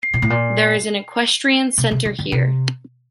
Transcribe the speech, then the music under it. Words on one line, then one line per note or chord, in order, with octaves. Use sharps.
There is an equestrian center here.
A#2
A2
A#2
C3
C3
D3
D3
C3